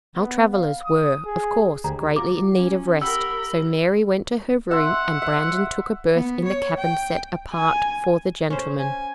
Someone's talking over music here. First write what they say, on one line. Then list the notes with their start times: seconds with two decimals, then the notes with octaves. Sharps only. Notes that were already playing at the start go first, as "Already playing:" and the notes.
Our travelers were, of course, greatly in need of rest; so Mary went to her room, and Brandon took a berth in the cabin set apart for the gentlemen.
0.16 B3
0.52 F5
0.85 D#6
1.26 G#4
1.84 D2 G4 G#4 A#5
2.16 F4 F#4 A#5 D6
2.56 C#4
3.02 G4 A#4 F#5 B5 E6
4.71 E5 F#5 C6
5.22 E5
6.14 B3
6.44 C#5
6.78 G5
7.54 G#5
8.50 C#4 C5
8.79 G#5